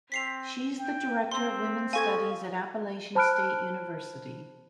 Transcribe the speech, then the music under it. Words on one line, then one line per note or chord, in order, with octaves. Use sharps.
She is the director of Women's Studies at Appalachian State University.
C4 B6 C7 F7
G5
C4 C6
A4 F5 G#5 C#6 G#6
C5 A5 B5 F6 F#6 D7